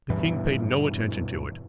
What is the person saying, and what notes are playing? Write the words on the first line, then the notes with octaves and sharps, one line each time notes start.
The king paid no attention to it.
E2 G2 B2 E3